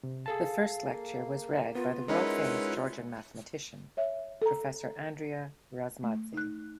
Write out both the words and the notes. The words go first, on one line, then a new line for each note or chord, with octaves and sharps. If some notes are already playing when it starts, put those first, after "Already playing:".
The first lecture was read by the world-famous Georgian mathematician Professor Andria Razmadze.
C3
G#4 A4 F5 A5
A#3
B3 F4
G#3 C#4 D#4 E4 A#4 B4 F#5
C#5 E5
A4 A#5
A3
D#4 F#6